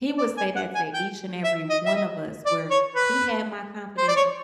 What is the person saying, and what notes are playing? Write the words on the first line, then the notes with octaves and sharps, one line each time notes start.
He would say that to each and every one of us where he had my confidence
D5
G#5
F#5
G#5
G5
E5
D#5
E5
D#5
D5
C#5
B4
C5
D5
C#5